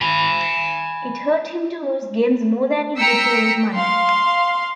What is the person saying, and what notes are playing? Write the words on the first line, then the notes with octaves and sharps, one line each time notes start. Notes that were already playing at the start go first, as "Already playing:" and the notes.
It hurt him to lose games more than it did to lose money.
G#5 B5
G5 A#5 E6 B6 C#7
F5 C6